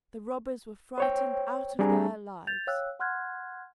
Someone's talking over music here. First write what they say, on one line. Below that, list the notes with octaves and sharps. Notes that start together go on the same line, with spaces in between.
The robbers were frightened out of their lives.
C5 C#5 G5
G3 C4 D4 G#4 G#5 A#5
G6 A6 F7
C#5 F5 G5 E6 F#6
F#5 C6 F6 F#6 G#6